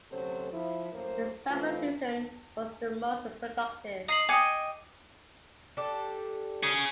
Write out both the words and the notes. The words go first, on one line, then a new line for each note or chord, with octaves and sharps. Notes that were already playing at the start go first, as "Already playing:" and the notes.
The summer season was the most productive.
D2 C3 F#3 C#4 A4 C5
F3 E4
F#2 A2 A#3 A#4 C5
E3 A3 C4 F4
D#4 D#6 C7 F#7
D#5 G5 G#5 D6 C#7
D4 G4 A4
C#4 G#4